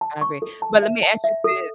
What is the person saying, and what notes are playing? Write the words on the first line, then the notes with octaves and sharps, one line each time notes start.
I agree. But let me ask you this.
A5
C#6
A4
A5
E5
A5
E5
A4